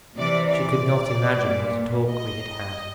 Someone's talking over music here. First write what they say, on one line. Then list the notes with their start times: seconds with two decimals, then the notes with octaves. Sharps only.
She could not imagine what a talk we had had.
0.17 C3 E3 D5
0.49 D5
1.45 A#2
2.10 D#5